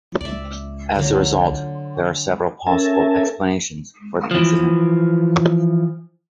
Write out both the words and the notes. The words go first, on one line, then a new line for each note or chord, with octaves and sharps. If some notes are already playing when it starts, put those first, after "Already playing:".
As a result, there are several possible explanations for the incident.
C#2 D5 E5
D3 F#3
C#4 A4 A#4 E5 G#5 A5
E3 F3